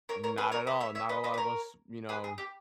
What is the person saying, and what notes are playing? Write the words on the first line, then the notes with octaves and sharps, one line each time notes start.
Not at all. Not a lot of us, you know,
A#4 C#5
A#4 C#5
G#4 B4
A#4 C#5
B4 D#5
C#5 E5
C#5 E5
B4 D#5
B4 D#5
B4
A#4 C#5
G#4 B4
G#4
G4